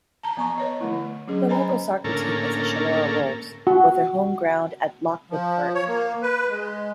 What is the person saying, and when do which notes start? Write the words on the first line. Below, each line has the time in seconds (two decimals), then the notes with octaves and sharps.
The local soccer team is the Chullora Wolves, with their homeground at Lockwood Park.
0.23 A5 A#5
0.37 F3 B3 A#5 C#6
0.58 B4 C#5 D#5
0.81 D3 F3 A3 E4
1.28 F#3 C#4 G#4
1.49 B4 C5 D#5 G#5 A#5 B5
2.04 A2 D3 A#3 C#4 A4 A#4
3.67 F#4
5.30 F3
5.75 C#5
5.88 A#3
6.22 B4
6.50 G#3